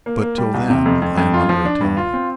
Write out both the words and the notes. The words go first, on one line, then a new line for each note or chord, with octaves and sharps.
But, till then, I am under a tie.
A#3
A#3
G3
C2
C3
F2
F2
F2
F4
F3
D4
G2
F4
C4